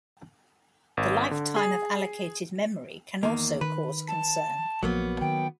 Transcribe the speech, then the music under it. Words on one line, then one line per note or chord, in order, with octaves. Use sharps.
The lifetime of allocated memory can also cause concern.
G#1
D3
G#4
E2 D#3 A#3
D#3 B4
A5
A#1 F3 F#3 A#3 B3
D#3 G5